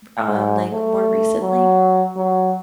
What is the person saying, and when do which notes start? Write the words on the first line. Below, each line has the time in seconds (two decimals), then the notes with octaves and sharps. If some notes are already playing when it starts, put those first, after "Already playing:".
r um, like, more recently?
0.29 G#2
0.73 A3
1.42 F#3
2.17 F#3